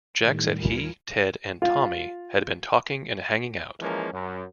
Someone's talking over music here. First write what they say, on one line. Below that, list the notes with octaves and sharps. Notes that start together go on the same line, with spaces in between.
Jack said he, Ted, and Tommy had been talking and hanging out.
A2 D#3 G3
D#2 F4 A#4 G#5 B5
F4
E3 F3 G#3 A#3 C#4 A#4
F#2